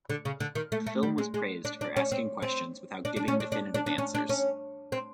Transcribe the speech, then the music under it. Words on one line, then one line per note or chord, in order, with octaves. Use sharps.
The film was praised for asking questions without giving definitive answers.
D3
C#3
D3
D#3
A3
A3
G3
G#3
G#3
D4
D4
C#4
C4
C4
D4
D4
C#4
D4
D4
D4
D4
C#4
D4
C#4
C4